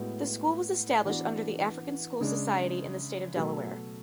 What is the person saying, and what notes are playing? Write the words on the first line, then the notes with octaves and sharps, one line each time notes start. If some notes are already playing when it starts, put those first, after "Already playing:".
The school was established under the African School Society in the state of Delaware.
Already playing: A2 G#3 B3 F#4
E3 B3 D4 F#4
C#3 G#3 D4
B2 F#3 A3